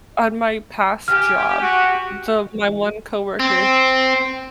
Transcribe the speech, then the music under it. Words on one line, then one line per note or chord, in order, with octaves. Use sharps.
on my past job the my one coworker,
G4 G#5 F6
F#4
C4